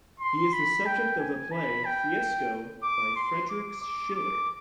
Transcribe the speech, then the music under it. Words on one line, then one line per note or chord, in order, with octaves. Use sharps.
He is the subject of the play "Fiesco" by Friedrich Schiller.
C6
B5
G5
G#5
B5
G5
D6
C6
D6
D6
D6